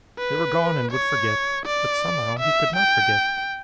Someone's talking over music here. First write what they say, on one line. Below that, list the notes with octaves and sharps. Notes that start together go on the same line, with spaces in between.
They were gone and would forget, but somehow he could not forget.
B4
C#5
D5
E5
G5